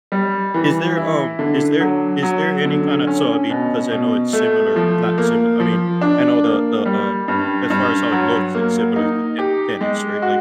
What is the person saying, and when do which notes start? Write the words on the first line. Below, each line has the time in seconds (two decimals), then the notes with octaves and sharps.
Is there, um is there is there any kinda so, I'll be 'cause I know it's similar not simil I mean, I know the the, um, as far as how it looks, it's similar to ten tennis, right? Like,
0.12 G3
0.54 E3
0.97 E4
1.39 D3
1.80 F#3
2.22 F#3
2.65 D3
3.07 C#4
3.50 B2
3.91 B2
4.33 A3
4.76 F3
5.18 A#3
5.60 F3
6.01 D4
6.44 A#3
6.86 G3
7.28 G2
7.70 G2
8.12 F#3
8.55 A#3
8.96 D#4
9.38 G4
9.81 G#3
10.22 F#4